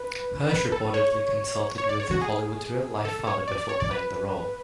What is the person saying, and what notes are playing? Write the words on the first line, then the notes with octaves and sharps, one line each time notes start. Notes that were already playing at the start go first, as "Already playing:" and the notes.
Hirsch reportedly consulted with Hollywood's real life father before playing the role.
Already playing: B4
B4
A4
C#5
C#5
D5
C#5
F#4
G#4
A4
C#5
D5
D5
C#5
D5
B4